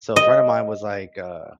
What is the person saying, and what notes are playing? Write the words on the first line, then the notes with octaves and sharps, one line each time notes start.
so, a friend of mine was, like, uh
D#5